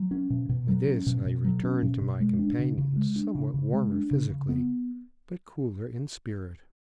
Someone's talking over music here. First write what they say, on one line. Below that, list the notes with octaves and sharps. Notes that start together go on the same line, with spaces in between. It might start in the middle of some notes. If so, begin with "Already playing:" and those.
With this I returned to my companions, somewhat warmer physically, but cooler in spirit.
Already playing: F#3
C#4
B2
B2
F#3
C#4
B2
B2
F#3
C#4
B2
B2
G#3
D4
C#3
C#3
G#3
D4
C#3
C#3
G#3
D4
C#3
C#3
B3